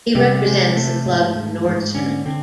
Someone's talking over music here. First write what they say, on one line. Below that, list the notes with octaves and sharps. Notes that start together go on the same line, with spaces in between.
He represents the club Nordstrand.
C3 G3
C3 G#3
C3 A3
G#2
G#2
G#2
D3 C#4
D3 C4